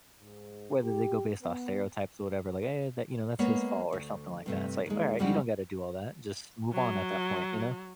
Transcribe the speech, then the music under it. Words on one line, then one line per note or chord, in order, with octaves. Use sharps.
whether they go based off stereotypes or whatever, like, "Hey, that", you know, "that's his fault." Or something like that. It's like, "Alright, you don't gotta do all that." Just move on at that point, you know?
G#2
G4
B3
G#3 A#3 B3 C#5
D2
G2 C3 A3
D#2 G#3
F2 C#3 G3 G#3 C4 F#4
F#3